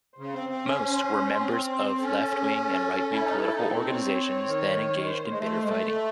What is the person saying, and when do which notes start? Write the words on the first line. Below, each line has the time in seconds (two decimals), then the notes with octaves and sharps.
Most were members of left-wing and right-wing political organizations, then engaged in bitter fighting.
0.18 C#3 C5
0.34 C4
0.49 C4
0.65 C#4
1.40 C4
2.02 C#4 A4
2.33 G#4
2.63 A4
3.13 E4
3.24 D#4
3.39 E4
3.55 D#4
3.70 C4
3.86 C#5
4.47 D#3
5.07 C5
5.31 G#3
5.39 A3
5.65 G#3
5.68 A3 A4